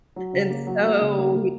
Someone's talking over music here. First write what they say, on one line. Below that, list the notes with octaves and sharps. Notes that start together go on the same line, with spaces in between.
and so he
F#3
C#3
A#3
F#3
A#3
C#3
A#3
A#3